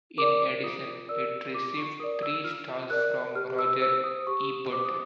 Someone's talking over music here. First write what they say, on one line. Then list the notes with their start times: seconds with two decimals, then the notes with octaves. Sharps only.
In addition, it received three stars from Roger Ebert.
0.18 A#4 D5 D6
0.63 F4 D#6
1.09 A#4 D5 E6
1.54 F4 D6
1.77 C#6
2.00 A#4 D5 D#6
2.23 E6
2.44 F4 F6
2.90 A#4 D5 F#6
3.35 G4 F6
3.59 E6
3.82 C5 E6
4.04 D#6
4.27 G4 C#6
4.72 C5 D6
4.85 D#6